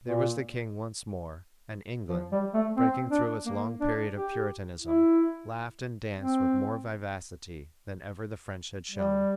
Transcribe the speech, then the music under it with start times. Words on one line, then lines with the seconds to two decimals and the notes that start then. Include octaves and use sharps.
There was the king once more; and England, breaking through its long period of Puritanism, laughed and danced with more vivacity than ever the French had shown.
0.05 A#2
2.09 F3
2.32 G3
2.54 A3
2.77 C4
3.11 D4
3.46 A#3
3.80 D4
4.14 G4
4.82 E4
6.19 C4
8.91 G3